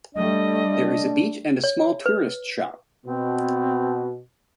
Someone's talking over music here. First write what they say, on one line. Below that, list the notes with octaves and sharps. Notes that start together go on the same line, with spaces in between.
There is a beach and a small tourist shop.
G3 A3 D4 D#5
C#5
B4
B2 C4